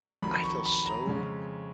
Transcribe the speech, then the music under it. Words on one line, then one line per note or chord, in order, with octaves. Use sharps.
I feel so
F2 D#3 F#3 B5
C#6
B5
A#5
F2 C#3 G#3 C#4